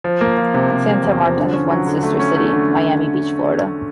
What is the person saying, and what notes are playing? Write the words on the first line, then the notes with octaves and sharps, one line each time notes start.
Santa Marta has one sister city: Miami Beach, Florida.
F3
A#3
F3
C3
C3
C3
E2
F3
D3
C#4
F#3
D3
A3
C#4
A3
D3